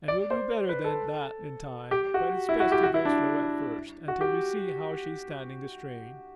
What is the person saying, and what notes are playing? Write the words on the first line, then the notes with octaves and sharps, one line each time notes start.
And we'll do better than that in time, but it's best to go slow at first, until we see how she is standing the strain.
D5
C5
B4
A4
G4
F#4
E4
F#4
G4
F#4
E4
D4
F#4
G4